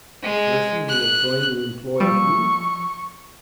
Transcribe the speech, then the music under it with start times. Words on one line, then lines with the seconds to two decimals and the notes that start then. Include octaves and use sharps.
"The person who is going to employ me?"
0.22 G#3
0.88 F#6
2.00 F3 G3 C#6 E6